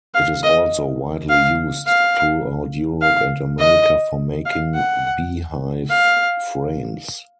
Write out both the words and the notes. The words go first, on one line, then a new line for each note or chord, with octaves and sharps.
It is also widely used throughout Europe and America for making beehive frames.
F5
D#5
F5
F5
F5
D#5
F5
F#5
F5